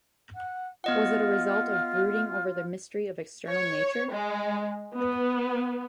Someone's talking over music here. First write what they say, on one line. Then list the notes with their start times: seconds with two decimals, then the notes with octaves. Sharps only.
Was it a result of brooding over the mystery of external nature?
0.34 F#5
0.84 B3 F4 D#5 F#5
3.49 C#5
4.09 G#3
4.95 B3